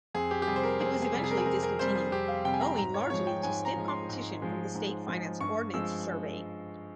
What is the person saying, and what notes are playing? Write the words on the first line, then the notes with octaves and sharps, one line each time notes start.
It was eventually discontinued owing largely to stiff competition from the state-financed Ordnance Survey.
F2 G#4
G4
G4
C3 G3 G#4
C5
A#4
F2 G#4
G#4
C3 G3
G#4
A#4
G#4
F2 A#4
A#4
C3 G3 C5
G#4
F2 G4
F5
C3 G3 G5
G#5
A#5
G#2 A#5
C#5
F3 G#3 C#5
G5
G#2 G#5
A#5
F3 G#3
C6
G#2
F3 G#3
G#2
F3 G#3
G2 C#6
F3 G#3 E6